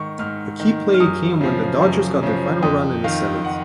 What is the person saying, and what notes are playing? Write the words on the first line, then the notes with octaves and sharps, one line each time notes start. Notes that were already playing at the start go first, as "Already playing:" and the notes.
A key play came when the Dodgers got their final run in the seventh.
Already playing: G#2 D#3 C#6
G#2 F6
D#3
F6
F#2 D#6
C#3 F3
F#2
C#3 F3
F2 D#6
D#3 F5
F#5